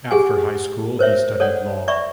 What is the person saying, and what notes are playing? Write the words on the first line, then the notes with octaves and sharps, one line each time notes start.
After high school he studied law.
G4 G#4 F#5 G#5
A#4 C5 C#5 E5
A4 C#5 D5 F#5
D5 E5 B5 C#6